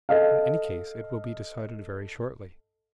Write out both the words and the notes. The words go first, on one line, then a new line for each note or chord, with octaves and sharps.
In any case it will be decided very shortly.
A4 D#5 F5